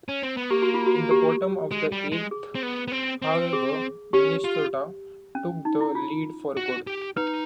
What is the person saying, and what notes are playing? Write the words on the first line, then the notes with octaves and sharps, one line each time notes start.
In the bottom of the eighth, however, Minnesota took the lead for good.
C#4
C4
B3
A#3 G4
F#4
F4
F#4
G4
G#3
G3
G#3
G#4
C4
B3
B3
C4
C4
G#4
C#4 G4
F4
C#4
D#4
E4
F4
F#4
G4
D#4 B4